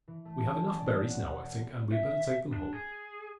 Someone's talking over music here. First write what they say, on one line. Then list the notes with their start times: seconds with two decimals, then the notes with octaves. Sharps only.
We have enough berries now, I think, and we had better take them home.
0.08 E3
0.25 A3
0.48 C#4
0.66 F#3
0.79 D5
1.09 F#5
1.23 E1
1.92 E5
2.54 D4
2.73 G#4